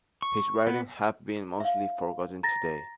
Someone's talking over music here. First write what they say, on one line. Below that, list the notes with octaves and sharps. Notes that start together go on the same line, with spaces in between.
His writings have been mostly forgotten today.
C#6
B3
E5 F5
A#5 A6 A#6